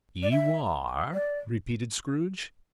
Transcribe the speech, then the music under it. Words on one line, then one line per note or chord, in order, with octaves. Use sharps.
"You are?" repeated Scrooge.
D5
E5
D5